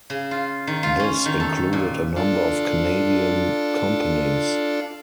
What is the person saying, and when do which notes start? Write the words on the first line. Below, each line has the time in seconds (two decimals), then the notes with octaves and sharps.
This included a number of Canadian companies.
0.10 C#3
0.31 F4
0.67 D#3
0.83 F4
0.99 C#4
1.26 D#3
1.40 A4
1.73 A#2
2.16 D4 F4 A4